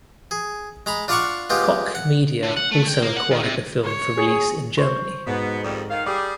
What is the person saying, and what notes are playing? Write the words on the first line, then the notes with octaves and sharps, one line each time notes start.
Koch Media also acquired the film for release in Germany.
G#4
G#3 A#5 B5
D4 F4 D5 F5 F#5 C#6
G#3 B3 F4 G4
F#5
D3
F#5
A3
G5
A#3
F#5
D#3
C3
C#5
G#4
C5 C6 C#6
G#2 B2 B3
F2 D#3 G3
D#3 F5
G3 G#4 D6